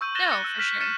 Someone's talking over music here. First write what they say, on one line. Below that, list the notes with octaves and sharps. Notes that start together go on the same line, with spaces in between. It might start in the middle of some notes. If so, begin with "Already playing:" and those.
No, for sure.
C#6 E6 G6 D#7
F#6 A6 A#6 E7 G7
F#6 A6 C#7
E6
F6 B6 E7
F6 G6 A6 C#7 D#7 E7